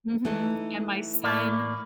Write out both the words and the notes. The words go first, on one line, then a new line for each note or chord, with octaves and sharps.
Mhm, and my son
E3 A3 D#4
A2 A#3 D5